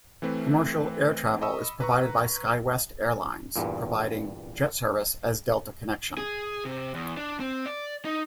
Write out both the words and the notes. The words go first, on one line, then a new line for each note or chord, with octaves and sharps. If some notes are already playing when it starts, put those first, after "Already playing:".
Commercial air travel is provided by SkyWest Airlines, providing jet service as Delta Connection.
E3 A3 C4 B4
D#5 B5 C#6 D#6 E6
B4 A#5 C#6
E2 G2 A#2
G#4
C3
E2
D4
C4
D5
D#4